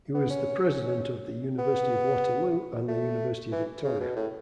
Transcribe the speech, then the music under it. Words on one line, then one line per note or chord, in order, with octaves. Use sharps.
He was the President of the University of Waterloo and the University of Victoria.
B3
C#4
B3
A3
E3
C#3
B2
A2